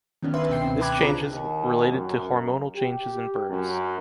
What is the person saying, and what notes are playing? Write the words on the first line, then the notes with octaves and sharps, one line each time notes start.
This changes related to hormonal changes in birds.
D#3 B3 C#4 D4
B4 E5 C6
C#2 B2 G5 C7
B2 C4
G5 A5 B5 D6 F#6 G#6
D4 F4 G#4 C5 A#5
D#2
F#2
G4
F#2